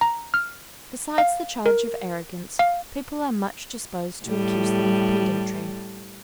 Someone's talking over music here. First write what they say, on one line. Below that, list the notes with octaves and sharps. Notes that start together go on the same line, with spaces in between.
Besides the charge of arrogance, people are much disposed to accuse them of pedantry.
A#5
F6
F5
A#4
F5
A2 G3